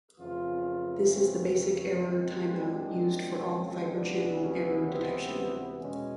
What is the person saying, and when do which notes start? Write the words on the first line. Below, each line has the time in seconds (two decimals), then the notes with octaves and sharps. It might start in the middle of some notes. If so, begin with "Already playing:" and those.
This is the basic error timeout used for all Fibre Channel error detection.
0.19 F2 C#3 E3 A3 F4
1.12 C4
2.06 F#2 D#3 G#3 C4
2.53 D4
3.46 C#4
3.93 D2 C3 E3 G#3 B3 D4
4.40 C#4
4.87 C4
5.80 E2 B2 G#3 C#4